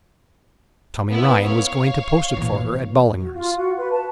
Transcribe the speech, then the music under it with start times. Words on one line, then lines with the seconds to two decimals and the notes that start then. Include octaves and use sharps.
Tommy Ryan was going to post it for her at Ballinger's.
1.11 B3 E4
1.45 C#5 F5
2.37 A#2 E3
3.20 F#4
3.33 F4
3.56 F#4
3.77 B4
3.92 A5